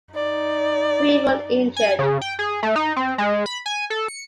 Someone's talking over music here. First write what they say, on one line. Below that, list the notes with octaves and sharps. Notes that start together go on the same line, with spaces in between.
Three were injured.
D#4 D5
G#5
C#3
G5
G#4
A3
D#4
C4
G#3
B5
G#5
A4
C#7